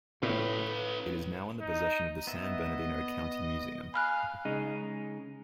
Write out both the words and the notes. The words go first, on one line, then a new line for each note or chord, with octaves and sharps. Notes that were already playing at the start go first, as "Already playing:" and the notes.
It is now in the possession of the San Bernardino County Museum.
A2 C#4 B4
D#4
B3 B4 D#5 E5
F5 G#5 B5 F6 F#6
C#3 G#3 D#4